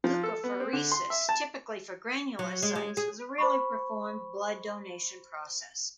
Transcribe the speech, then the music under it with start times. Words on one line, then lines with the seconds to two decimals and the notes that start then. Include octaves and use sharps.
Leukapheresis, typically for granulocytes, is a rarely performed blood donation process.
0.04 F3
0.23 A4
0.44 B3
0.60 C4
0.73 D3
0.92 C6
1.10 E5
1.29 A5
2.39 F#3
2.62 G#3
2.75 G#3
2.97 G#4
3.38 C5 B5 C#6